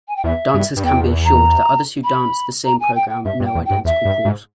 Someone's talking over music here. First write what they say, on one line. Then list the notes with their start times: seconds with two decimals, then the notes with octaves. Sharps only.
Dancers can be assured that others who dance the same program know identical calls.
0.08 G#5
0.16 G5
0.24 E2 E5
0.54 G2
0.77 G2
0.84 E2 G5
1.25 A#5
2.04 B5
2.64 A#5
2.80 G#5
2.95 G5
3.09 G5
3.24 G2 E5
3.40 G2
3.45 G5
3.55 E2
3.65 G5
3.70 G2
3.85 E2 E5
4.05 G2
4.25 G#2